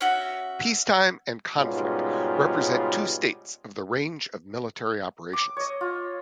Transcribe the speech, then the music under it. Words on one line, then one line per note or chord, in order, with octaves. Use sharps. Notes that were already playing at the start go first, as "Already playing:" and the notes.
Peacetime and conflict represent two states of the range of military operations.
C#4 F#4 E5
G#2 B2 G3 C#4 F4
D6
C#5 D#5
F4